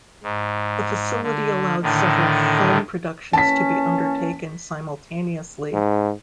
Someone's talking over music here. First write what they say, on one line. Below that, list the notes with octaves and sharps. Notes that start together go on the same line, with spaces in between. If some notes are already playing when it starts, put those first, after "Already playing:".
The facility allowed several film productions to be undertaken simultaneously.
G#2
D3
A2 D3 D#3
E3 A#3 C#4 A5 B6
G#2